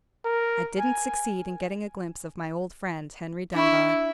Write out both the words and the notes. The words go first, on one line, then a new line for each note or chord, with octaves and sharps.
"I didn't succeed in getting a glimpse of my old friend Henry Dunbar."
A#4
G#5
D4 E4 B5 C#6